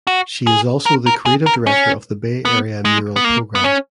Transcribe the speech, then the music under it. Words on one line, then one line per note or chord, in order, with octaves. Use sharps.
She is also the creative director of the Bay Area Mural Program.
F#4
G#4
A#4
A#4
G#4
A#4
C#4
B3
G#3
B3
A#3
B3
C#4